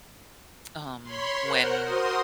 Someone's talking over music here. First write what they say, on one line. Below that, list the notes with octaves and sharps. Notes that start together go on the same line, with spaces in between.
um, when
C#5 B5 C6
A#4 C5 F#5
F#4 A#4 C5 C6 D#6